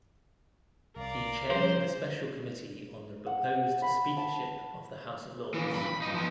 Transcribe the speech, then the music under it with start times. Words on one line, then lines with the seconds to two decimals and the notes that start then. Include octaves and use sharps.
He chaired the special committee on the proposed Speakership of the House of Lords.
0.96 C2 A#4 D5 F5
1.51 F3 G3 C#4 C5
3.26 F#5
3.82 B5
4.17 A5
5.54 A#2 E3
5.75 G2 B5
5.86 B5
6.02 G2 D#4
6.14 F3 B3